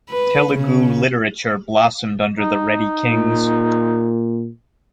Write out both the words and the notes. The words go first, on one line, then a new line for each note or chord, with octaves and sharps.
Telugu literature blossomed under the Reddy kings.
B4
C#3
D#4
A#2